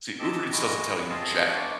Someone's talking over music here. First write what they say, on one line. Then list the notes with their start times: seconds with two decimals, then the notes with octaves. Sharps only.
See, Uber Eats doesn't tell you jack.
0.19 C4 A4 D#5 D6 E6
0.52 G#3 E4 F#4 D#5
1.10 C4 F4 G#4 D#5 F5 A5
1.53 B3 D4 C#6 D6